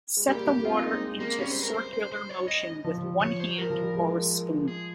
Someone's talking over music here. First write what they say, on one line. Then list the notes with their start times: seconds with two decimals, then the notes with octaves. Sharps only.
Set the water into circular motion with one hand or a spoon.
0.17 G#3
0.29 G3 A#3 G4
0.47 G3 A#3 G4
0.65 C4 F4
0.78 A#3
0.83 D#4
0.91 G#3 C4
1.20 A#3
1.38 G3 C#4
1.51 C5
1.63 A#4
1.75 C5
1.93 C5
2.12 C5
2.30 C#5
2.48 D#5
2.85 F3
2.98 F3
3.03 G3
3.21 F3 C#5
3.40 C5
3.58 G3 A#4
3.70 F3
3.82 G3
3.95 F3 G#3
4.68 G#4